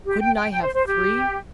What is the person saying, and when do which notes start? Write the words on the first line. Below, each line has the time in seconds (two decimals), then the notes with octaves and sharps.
Couldn't I have three?
0.05 G4
0.20 G5
0.35 G5
0.51 G5
0.62 C5
0.74 C5
0.85 G4